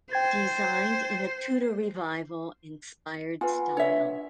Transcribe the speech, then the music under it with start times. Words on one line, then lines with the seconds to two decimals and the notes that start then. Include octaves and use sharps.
Designed in a Tudor revival inspired style.
0.11 C5 G5 G#6 A6
3.41 F4 B4 F#5 G#5
3.77 D4 C#5 E5